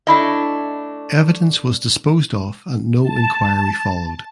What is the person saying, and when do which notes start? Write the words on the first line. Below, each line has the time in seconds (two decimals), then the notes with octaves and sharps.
Evidence was disposed of and no inquiry followed.
0.07 A3 D4 E4 D#5
3.03 A5